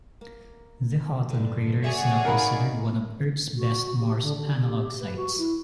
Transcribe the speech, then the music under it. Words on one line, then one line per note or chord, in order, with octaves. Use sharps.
The Haughton crater is now considered one of Earth's best Mars analog sites.
A#3
G2 D3
F#4 G#4 C#5 D5 E5
D#4 A#4 D#5 F5 B5
F#4
G4
D3
D3
G4
B4
F#4
E4